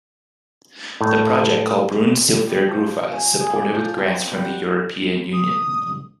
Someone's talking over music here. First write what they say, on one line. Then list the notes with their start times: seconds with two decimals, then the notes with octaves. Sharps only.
The project, called Brunns Silfvergrufva, is supported with grants from the European Union.
1.01 A2
2.47 G3
2.68 F3
3.13 C#4
3.41 G#4
3.55 D5
3.75 F3
3.97 C4
4.32 G3
4.45 F#5
5.32 D#6